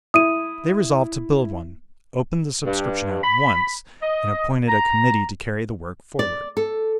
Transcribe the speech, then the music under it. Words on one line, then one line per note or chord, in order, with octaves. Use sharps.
They resolved to build one, opened the subscription at once, and appointed a committee to carry the work forward.
E4 D#6 D#7
G2
B5
D#5
A#5
D5
A4